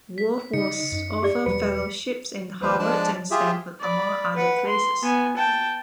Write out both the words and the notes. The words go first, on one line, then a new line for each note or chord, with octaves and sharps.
Wolfe was offered fellowships in Harvard and Stanford among other places.
B6
C#3 D#4 D#5 C#7
F#2
G4 D5
E1 F#3 G3 B4 C#7
D#2 F3 G3 B4 C5
F3 G#3 D4 D5 A5
F4 G4 G#4 E5
D5 B5
B4 F#5
C6
B3 G#5
G5 A5